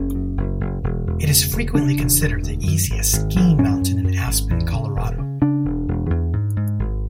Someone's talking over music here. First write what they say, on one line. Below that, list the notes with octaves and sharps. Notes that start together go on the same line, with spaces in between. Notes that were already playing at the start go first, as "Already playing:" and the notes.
It is frequently considered the easiest skiing mountain in Aspen, Colorado.
Already playing: F#1 C#4
F#2
F#1
F#1
E1
E1
C#3
E1
C#3 D4
E1
E1
D2
F#2
G#1
G#1
G#1
F#2 C#4
F#2
F#2
G#1
E2
C#3
E1
C#3
C#3 D4
E1
E1
E2
G#2
G#2
G#1